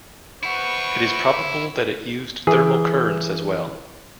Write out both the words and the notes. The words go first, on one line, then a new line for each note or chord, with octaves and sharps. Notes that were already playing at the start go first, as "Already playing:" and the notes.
It is probable that it used thermal currents as well.
E4 B4 C5 F#5 C#6
E3 G#4